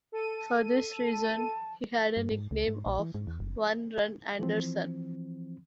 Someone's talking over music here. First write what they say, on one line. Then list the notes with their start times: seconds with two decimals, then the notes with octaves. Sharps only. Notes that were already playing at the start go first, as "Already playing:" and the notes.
For this reason, he had a nickname of "One Run Anderson".
0.12 A4 D#7
1.09 A5
2.17 G2
2.31 G#2
2.51 C#2
2.68 G#2
2.86 A#1
2.99 E3
3.14 G#2
3.27 E2
3.40 F#1
4.39 E3 F3 C4